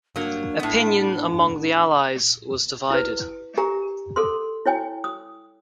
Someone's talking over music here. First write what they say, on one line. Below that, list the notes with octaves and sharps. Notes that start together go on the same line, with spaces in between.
Opinion among the allies was divided.
F#3 A#3 D4
A2 B3
E4 B4
G4 A#4 G#5 A#5
A4 A#4 C6
E4 C#5 G5 G#5
D#6